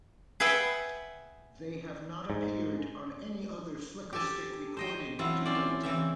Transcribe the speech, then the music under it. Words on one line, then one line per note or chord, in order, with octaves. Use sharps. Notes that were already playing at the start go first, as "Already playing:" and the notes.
They have not appeared on any other Flickerstick recording to date.
G#4 B4 E5 F#5 G5
G#2
G4 A4 G#5 A5
C5 D#5 G5
E3 F#3 C4 E4 F4
C4 C#4 C5 D5
C#3 E3 C4 E5